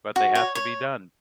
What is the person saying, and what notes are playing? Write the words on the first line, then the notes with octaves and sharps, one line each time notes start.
but they have to be done.
F#4
C#5
C#5